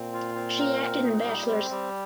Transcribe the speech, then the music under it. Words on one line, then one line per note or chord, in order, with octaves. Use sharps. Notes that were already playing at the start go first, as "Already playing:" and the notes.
She acted in "Bachelors".
Already playing: A#2 C4
F4
C4
A#4
C4
D#4
G3
C4
G3